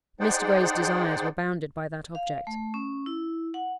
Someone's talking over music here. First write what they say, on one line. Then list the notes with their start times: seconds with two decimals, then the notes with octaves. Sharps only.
Mr. Gray's desires were bounded by that object.
0.20 D#4 G#4 C5 D5 F#5 G5
2.15 F5
2.47 A3
2.74 C#4
3.06 E4
3.54 F#5